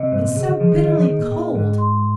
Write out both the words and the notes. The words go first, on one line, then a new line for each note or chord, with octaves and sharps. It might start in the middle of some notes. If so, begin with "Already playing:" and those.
It's so bitterly cold.
Already playing: C3 D#5
G2 C5
G#2
A#2
C3 G#4
C#3
F3 G#4
D#3
D#3 D#5
F3
D#3 G#4
A#2
A#2 G5
G#2 F4
C6